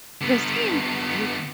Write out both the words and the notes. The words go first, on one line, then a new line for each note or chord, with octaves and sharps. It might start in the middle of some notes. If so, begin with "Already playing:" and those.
They seem you
D3 B3